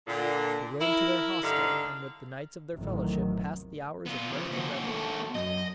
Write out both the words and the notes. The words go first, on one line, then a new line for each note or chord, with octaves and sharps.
They rode to their hostel, and with the knights of their fellowship, passed the hours in mirth and revelry.
A#2 D3
E4 A#4
G2 D3 D#4 F5
A1 E2 A2 C3 D#3 F#3
B3 F4
C#3 F4 G4 C5
D#2 F#4
A#3 A4
F#2 D#5